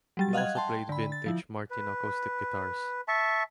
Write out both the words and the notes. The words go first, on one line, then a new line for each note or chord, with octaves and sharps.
He also played vintage Martin acoustic guitars.
F#3 G3 A6
D#5 F5 F#5 F#6 G#6
G5 A5 C6
D3 B5
A6
F3 E4
B4
E5 A5 C#6